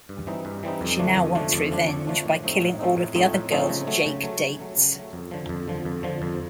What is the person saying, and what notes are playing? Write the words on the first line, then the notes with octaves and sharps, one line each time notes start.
She now wants revenge by killing all of the other girls Jake dates.
G2
E3 G3 C4 D#4
G2
E3 G3 C4 D#4
F2
D3 F3 A3 D4
F2
D3 F3 A3 D4
F2
D3 F3 A3 D4
F2
D3 F3 A3 D4
A2
F3 A3 C4 D#4
A2
F3 A3 C4 D#4
A2
F3 A3 C4 D#4
A2
F3 A3 C4 D#4
C#3
F#3 A3
C#3
F#3 A3
C#3
F#3 A3
C#3
F#3 A3
F2
D3 F3
F2
D3 F3
F2
D3 F3
F2